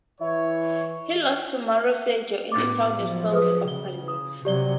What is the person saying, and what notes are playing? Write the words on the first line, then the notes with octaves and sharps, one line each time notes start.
He lost to Mario Sergio in a crowded field of candidates.
E3 E4 C#5
A2 B3 D6 A6
F3 F#3
G#4 B4 D#6
C#3 G7
D#6
C3 F#3 G4 D5 G7